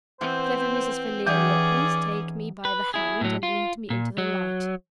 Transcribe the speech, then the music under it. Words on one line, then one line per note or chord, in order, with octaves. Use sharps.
Clever Mrs. Valeria, please take me by the hand, and lead me into the light.
E3 B3 C4 C5
E3 B3 C#4 D#4 G4 G#4 D5
B4
E4 G#4
A2 F#3
F4
A#2
F#3